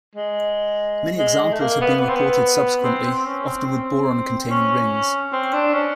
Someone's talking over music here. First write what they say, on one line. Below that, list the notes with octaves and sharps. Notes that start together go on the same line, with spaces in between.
Many examples have been reported subsequently, often with boron-containing rings.
G#3
G#3
G#3
A3
A#3
B3
B3
C4
B3
C4
C4
C#4
C4
C4
C#4
C4
D4
C#4